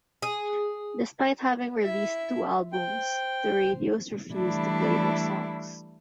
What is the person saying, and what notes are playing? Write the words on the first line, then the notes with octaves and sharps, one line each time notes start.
Despite having released two albums the radios refused to play their songs.
G#4
E4 E5
C5 G5
E3 G3 A3 D4 E4